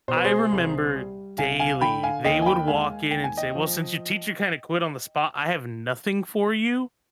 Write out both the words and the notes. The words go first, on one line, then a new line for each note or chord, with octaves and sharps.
I remember daily, they would walk in and say, "Well, since your teacher kinda quit on the spot, I have nothing for you.
B2 C5
B4
G#4 C5
C2
G3
C2 F5 G#5
F5 G#5
D3 G5 B5
F5 G#5
D#2 D#5 G5
G#5
G5 B5
G#3 F5 G#5
D#2 G5
G#5
D#5 G5
F3